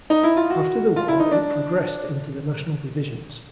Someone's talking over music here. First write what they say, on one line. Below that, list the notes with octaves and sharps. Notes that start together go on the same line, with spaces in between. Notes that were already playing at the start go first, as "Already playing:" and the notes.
After the War it progressed into the national divisions.
D#4
E4
F4
F#4
F4
E4
D#4
D4